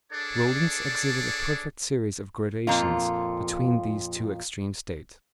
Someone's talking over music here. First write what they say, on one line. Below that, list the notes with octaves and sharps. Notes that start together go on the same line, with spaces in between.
The rodents exhibit a perfect series of gradations between these two extreme states.
D4 G#4 A4 C#5 D5
F2 A#2 F4